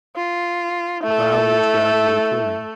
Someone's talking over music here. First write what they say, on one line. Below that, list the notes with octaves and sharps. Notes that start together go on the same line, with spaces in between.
The valley is gradually clearing.
F4
A3 E4 A4